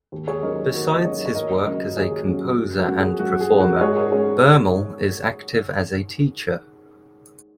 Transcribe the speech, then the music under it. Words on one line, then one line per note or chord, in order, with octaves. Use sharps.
Besides his work as a composer and performer, Bermel is active as a teacher.
D#2
G#4 C#5
D#3 F#3 C#4 A#4 D#5
D#2 F#4 A#4
D#5
D#3 F#3 C#4 G#4 C#5
C#5
D#2 A#4 D#5
C#3 F#3 C#4 A#4 D#5
D#2 G#4 C#5
C#3 F#3 C#4
F#2
F#4 A#4
F#3 C#4
G#4
F#2 F#4
G#4
F#3 C#4
F#4 A#4
D#5
G#2 G#4 C#5
F#4 A#4
G#3 C#4 G#4 C#5